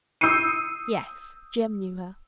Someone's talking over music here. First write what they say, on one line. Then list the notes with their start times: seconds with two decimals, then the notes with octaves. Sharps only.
Yes, Jem knew her.
0.21 D#6 E6 G6 C7 C#7 D#7